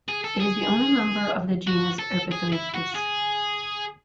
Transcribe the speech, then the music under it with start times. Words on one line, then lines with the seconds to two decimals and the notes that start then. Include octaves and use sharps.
It is the only member of the genus Erpetoichthys.
0.09 G#4
0.24 A4
0.40 G#4
1.68 F#4
1.99 A4
2.31 G#4
2.53 E4
2.74 F#4
2.95 G#4